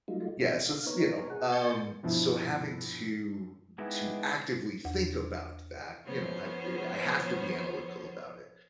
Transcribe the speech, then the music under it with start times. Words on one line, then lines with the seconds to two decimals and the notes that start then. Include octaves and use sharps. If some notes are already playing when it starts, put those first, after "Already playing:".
yeah, so it's, you know, um, so having to to actively think about that, you know, I've to I have to be analytical about it,
0.08 F#3 G3 A3 D#4 F4
0.39 B2 C4
0.65 F5
0.86 B3 D#4 A#4 C#5
1.30 G#4 F#5
1.52 G#5 C#6 G6 A6
2.03 G2 B2 F3 E4
3.78 G#3 B3 D#4 E4 G4
4.85 E2
6.06 F3 B3 C#4 C5 C#5